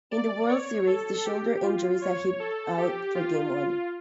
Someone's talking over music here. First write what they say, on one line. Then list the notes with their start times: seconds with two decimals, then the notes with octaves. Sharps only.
In the World Series the shoulder injury sat him out for game one.
0.12 D5
0.49 C#5
0.87 A4
1.25 G4
1.63 F4
2.01 C#5
2.40 A4
2.77 G4
3.15 F4